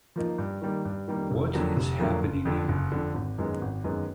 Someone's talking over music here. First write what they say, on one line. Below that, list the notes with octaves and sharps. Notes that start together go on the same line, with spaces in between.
What is happening here?
F3 A#3 D#4
G2
D#3 G3 A#3
G2
D#3 G3 A#3
F1
F2 D3 F#3 A#3
F1
F2 D3 F#3 A#3
F#1
F2 D3
F#1
F2 D3
G#1
F#2 D#3 G#3 B3
G#1
F#2 D#3 G#3 B3